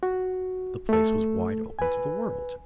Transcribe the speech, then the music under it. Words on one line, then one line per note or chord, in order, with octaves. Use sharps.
The place was wide open to the world.
F#4
A3 A4
B4 G#5